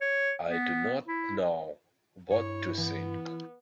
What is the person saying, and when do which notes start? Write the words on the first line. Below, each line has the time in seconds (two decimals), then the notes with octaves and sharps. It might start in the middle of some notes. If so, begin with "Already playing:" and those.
I do not know what to think.
0.01 C#5
0.49 B3
1.07 E4
2.31 G2 E4 C#5
2.78 E3 B3